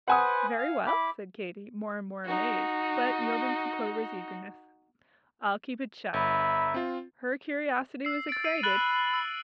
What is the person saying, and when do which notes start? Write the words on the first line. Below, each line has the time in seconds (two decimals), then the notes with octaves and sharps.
"Very well," said Katy, more and more amazed, but yielding to Clover's eagerness, "I'll keep it shut." Her curiosity was excited.
0.08 B4 C5 F#5 G#5 D#6
0.59 F5
0.87 E4 B5 D6
2.25 D#4 F#4
6.14 G1 E5 A#5 B5
6.74 C4 F4
8.05 E6 C7
8.29 A6 D7
8.44 E6 C7 D#7
8.63 B5 F#6 A6 F#7
9.14 E6